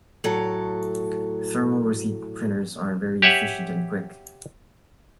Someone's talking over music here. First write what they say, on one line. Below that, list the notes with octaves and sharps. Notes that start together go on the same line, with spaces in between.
Thermal Receipt Printers are very efficient and quick.
A2 F#3 A4
G4 C#5 E5 F#5 G#5